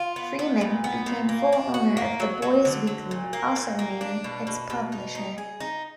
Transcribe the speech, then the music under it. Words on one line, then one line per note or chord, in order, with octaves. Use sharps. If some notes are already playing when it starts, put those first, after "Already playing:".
Freeman became full owner of the "Boise Weekly", also remaining its publisher.
Already playing: F4
B3
B3
A#2
B3
A#2
A#3
D4
F#4
A#3
F#3
F#3
D3
F#3
A#2
A#3
A#2
A#3
D4
B2
B2
B2
D#4
D#4
G#4
D#4